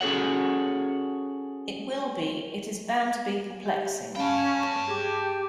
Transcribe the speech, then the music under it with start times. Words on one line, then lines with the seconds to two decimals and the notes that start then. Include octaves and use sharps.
It will be — it is bound to be perplexing.
0.01 C#4 F#4 G#4 A4 C#5 F#5
3.66 G4 G6
4.16 C#4 F5 G5 A5 B5
4.38 G#6
4.88 G4 G#4 D6